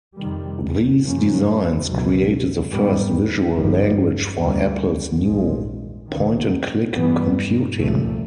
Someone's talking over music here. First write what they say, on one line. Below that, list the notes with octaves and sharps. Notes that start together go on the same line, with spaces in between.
These designs created the first visual language for Apple's new point-and-click computing.
F2 C3 D#3 G3
F#2 C#3 F3 A#3 C#4
C#2 B2 F#3
G#2 D#3 G3 B3
G#1 G2 D3 F3
D2 D3 G3 A#3 C#4
A#1 G#2 F3 G#3
C#2 C3 D#3
G2 E3 G3 B3
C2 A#2 F3 A3